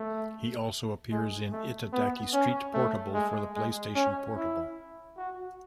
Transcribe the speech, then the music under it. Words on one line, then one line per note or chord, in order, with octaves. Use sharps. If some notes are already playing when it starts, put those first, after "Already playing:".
He also appears in "Itadaki Street Portable" for the PlayStation Portable.
Already playing: A3
G#3
A3
B3
C#4
A3
G#3
G#3
C#4
E4
F#4